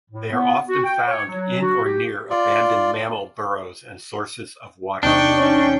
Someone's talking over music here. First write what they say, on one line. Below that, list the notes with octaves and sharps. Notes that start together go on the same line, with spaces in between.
They are often found in or near abandoned mammal burrows and sources of water.
A2
B3
F#4
G5
C#5
F#3
F#4
G4
F4 D5
E2 C3 D4 D#4 G5 C#6
C#4